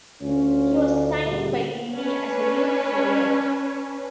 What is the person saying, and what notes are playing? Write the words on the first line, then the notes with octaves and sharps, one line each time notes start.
He was signed by Lille as a youth player.
D2 C#4 F4
A#2 C#3 G3
C#4 D4 B4